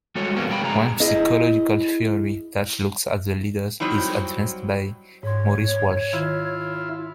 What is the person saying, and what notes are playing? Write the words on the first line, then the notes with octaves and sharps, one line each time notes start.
One psychological theory that looks at the leaders is advanced by Maurice Walsh.
G3 G#3 F#4 A4 C#5
F2 C3 G3 A#3 B3 C#4
F#2 B2 A#3 C4 G5 B5
C#3 G#3 G#4 A#5
E4 G#4 D#5
F#3 G3 C4 D#4 E4
G#2 C#5 C6
D#3 E4 F4